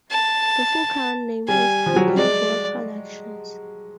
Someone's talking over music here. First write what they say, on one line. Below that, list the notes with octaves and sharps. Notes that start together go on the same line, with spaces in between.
The full current name is Taki Rua Productions.
A5
G3 G#5
F3
F#3
G3
G#3 D5